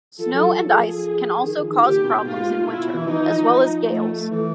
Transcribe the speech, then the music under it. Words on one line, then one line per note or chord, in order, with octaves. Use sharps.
Snow and ice can also cause problems in winter, as well as gales.
F3 A4
F#3
F3
G#4
D#3
F3
D#3
A#2 G4
B2
G#2 F4
A#2
B2 E4
B2
E3
E3 D#4
F3
F3
A3
E3